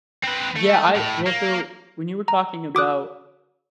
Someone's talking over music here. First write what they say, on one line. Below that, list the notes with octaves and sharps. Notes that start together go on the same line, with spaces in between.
Yeah, I well, so, when you were talking about
C4 B4
A3
A2
A#3
A#5
F#4 D6 D#6 F#6